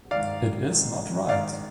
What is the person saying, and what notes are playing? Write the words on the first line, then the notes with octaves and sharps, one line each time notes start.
It is not right!
G#2 D#3 D5 F5
G#2 D#3
G#2 D#3 D5 F5